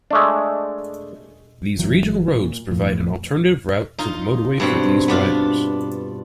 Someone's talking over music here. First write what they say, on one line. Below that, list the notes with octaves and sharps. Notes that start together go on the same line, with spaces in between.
These regional roads provide an alternative route to the motorway for these drivers.
G#3 A3 D4
G1 G#2 E3 F#3
A#2
G1 F2 A2 F3
D#4 F4
G2 B2 C4
B3 D4 F4